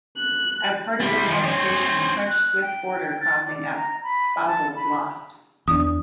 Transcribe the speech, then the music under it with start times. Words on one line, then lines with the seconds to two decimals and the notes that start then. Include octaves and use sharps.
As part of this annexation, the French-Swiss border crossing at Basel was lost.
0.17 F#6
1.01 G3 E4
1.27 D#3 F3
1.44 C4 C#5
2.27 F#6
2.62 G5
3.20 A6
3.45 D5
3.76 A#5
4.03 B5
4.45 A5
4.75 B5
5.68 E2 D4 D#6